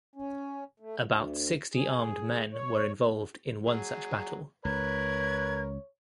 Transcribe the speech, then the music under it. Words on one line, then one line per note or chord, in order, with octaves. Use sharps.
About sixty armed men were involved in one such battle.
C#4
A3
D2
G#4
C#5
F#3 G#4
C#2 A#4 B4 C#5 G#6